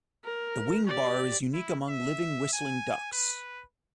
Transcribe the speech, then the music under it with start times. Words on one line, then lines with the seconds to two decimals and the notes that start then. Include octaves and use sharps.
The wing bar is unique among living whistling ducks.
0.25 A#4
0.88 G4 D5
1.54 E4
1.88 E5
2.53 G#5
3.12 B4